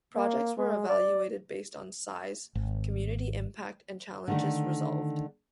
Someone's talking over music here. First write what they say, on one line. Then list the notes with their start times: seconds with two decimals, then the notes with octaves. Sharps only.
Projects were evaluated based on size, community impact and challenges resolved.
0.16 A#3
0.58 G#3
0.89 D5
2.55 G#1
4.28 D3 D#3 A3